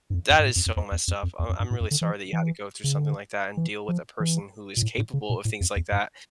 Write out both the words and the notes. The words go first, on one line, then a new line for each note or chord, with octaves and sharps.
that is so messed up, I'm I'm really sorry that you had to go through something like that and deal with a person who is capable of things like that,
G2
F2
F2
G2
A2
F2
F2
E2
E2
F2
F2
E2
F2
G2
A2
F2
D3
E3
E3
C#3
D3
E3
F3
E3
A#2
A2
A2
C#3
A#2
A2
F2
E2
G2